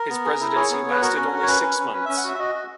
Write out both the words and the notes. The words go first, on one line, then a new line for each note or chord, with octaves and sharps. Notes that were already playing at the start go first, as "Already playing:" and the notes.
His presidency lasted only six months.
Already playing: A#4
B3
G#4
E4
G#4 C#5
B3
B3 B4
F#4 A#4
C#4
F#4
C#5
C#4 B4
C#4
C#4
C#4 B4
C#4 E5
F#5
F#4 E5
E5
F#4 D#5
F#4